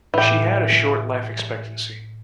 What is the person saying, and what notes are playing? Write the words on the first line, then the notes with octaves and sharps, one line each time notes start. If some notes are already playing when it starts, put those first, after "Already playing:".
She had a short life expectancy.
A2 E3 G4